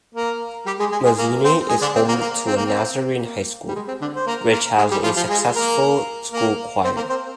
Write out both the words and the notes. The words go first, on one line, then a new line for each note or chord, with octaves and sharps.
Manzini is home to a Nazarene High School, which has a successful school choir.
A#3 A#4
G3 G4
G#3 G#4
G#3 G#4
G#3 G#4
A#3 A#4
C4 C5
G#3 G#4
D3 D4
C4
A#3
A#3
C4
A#3
C4
A#3
G3
G#3
C4
D3 D4
C5
A#3 A#4
A#3 A#4
G#3 G#4
G3 G4
F3 F4
F3 F4
G#3 G#4
A#3 A#4
A#3 A#4
C4 C5
A#3 A#4
C4 C5